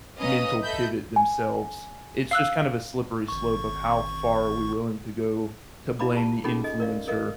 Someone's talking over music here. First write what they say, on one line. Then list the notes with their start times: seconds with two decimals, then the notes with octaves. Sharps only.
mental pivot themselves. It's just kind of a slippery slope of how far we're willing to go to blame the influencer
0.17 C#4 B4 D#5 F5 A#5 D#6
0.63 A4 D#5 E5 B5 G6
1.16 G#5
2.31 F5 E6 F#6
3.28 G#1 C#6
5.99 E4 D5 F5 A#5 B5 D6
6.13 F4 G4 A5
6.44 C#4 D#4 F4 G#4 A4 B5
6.64 A4 D#5
6.80 A#4 D5 F5
7.07 A4 A#4 D#5 F5